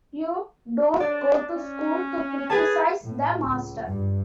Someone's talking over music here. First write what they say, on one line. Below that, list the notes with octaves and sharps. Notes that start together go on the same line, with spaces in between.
You don’t go to school to criticize the master.
D4 D5
C#4
G#4 B4 G#5 A5
A2
C#2
G2